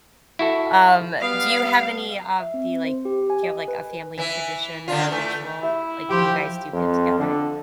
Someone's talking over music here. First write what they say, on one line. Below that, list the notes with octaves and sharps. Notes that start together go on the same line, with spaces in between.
Um, do you have any of the, like do you have, like, a family tradition or ritual, like, when you guys do get together?
E4 F#4 A4
G3 B3 F5
E5
C4
C5
G4
G#5
D#5
B4
E3 E4
D3 D4 F4
E3 A3
E4 G4 E5
F3 G4 G5 C6
F2
D3